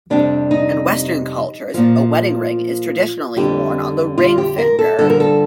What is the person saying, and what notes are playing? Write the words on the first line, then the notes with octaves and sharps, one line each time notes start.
In Western cultures, a wedding ring is traditionally worn on the ring finger.
F2 C3 G3 D4
D#4
A#2 F3 F4
F2 D3 G3 G4
F4
G4
A#4
A4
G2 D3 F3 A4
A#4
A4